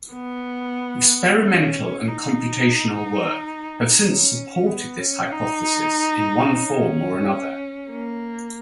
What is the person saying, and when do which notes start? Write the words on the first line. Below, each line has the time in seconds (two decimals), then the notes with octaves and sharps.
Experimental and computational work have since supported this hypothesis in one form or another.
0.14 B3
1.43 C#4
2.08 D#4
4.03 C#4
4.67 B3
4.99 C#4
5.32 D#4
6.60 C#4
7.91 A#3